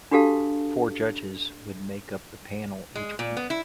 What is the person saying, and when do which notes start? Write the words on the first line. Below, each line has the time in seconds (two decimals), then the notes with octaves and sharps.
Four judges would make up the panel each week.
0.11 D4 F#4 G4 A4 F5 A5
2.96 G#3
3.19 A#2
3.37 B3
3.50 E4